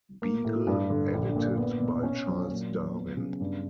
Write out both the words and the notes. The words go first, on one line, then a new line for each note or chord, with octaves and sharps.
Beagle, edited by Charles Darwin.
A#3
A2
G2
D3
A#1
A#2
B3
B2
C#4
F#3
A#2
F#3
B3
C#3
G2